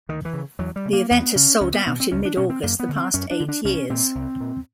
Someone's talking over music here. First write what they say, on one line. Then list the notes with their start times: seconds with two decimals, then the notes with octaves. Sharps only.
The event has sold-out in mid-August the past eight years.
0.09 D2 D#3
0.25 E3
0.33 C#3
0.59 E2 F#3
0.76 G3
0.86 C#3
0.93 A#3
1.11 E2 B3
1.35 C#3 C#4
1.61 C#2 C#4
1.74 B3
1.86 B2 B3
2.00 C4
2.12 C#2 C#4
2.25 D4
2.37 B2 C#4
2.50 C4
2.63 F#2 A#3
2.80 B3
2.89 D3
2.96 C4
3.14 F#2 C#4
3.31 D4
3.40 D3
3.48 D4
3.64 C2 C#4
3.90 A#2 C4
4.15 C2
4.40 A#2